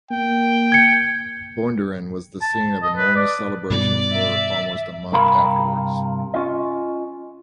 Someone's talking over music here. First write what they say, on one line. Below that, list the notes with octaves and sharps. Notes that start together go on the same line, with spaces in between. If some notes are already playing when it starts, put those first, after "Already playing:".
Bundoran was the scene of enormous celebrations for almost a month afterwards.
A#3 G5
G#6 C#7
A5
D#5
B4
D5
G2 B2 D#3 D5
E5
G2 C3 A#4 F5 B5
C#4 F4 D#5